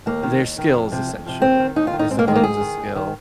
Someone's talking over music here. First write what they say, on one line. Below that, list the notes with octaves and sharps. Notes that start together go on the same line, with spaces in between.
They're skills, essentially, discipline's a skill.
D#2 A#3
D#3
D#2
D#3
F2
C3 F3
F2
C3 F3
D#2 C4
D#3
D#2 D#4
F4
D#3
D#4
G#2 C4
A#3
D#3 G#3
A#3
G#2 G#4
D#3
D#2
D#3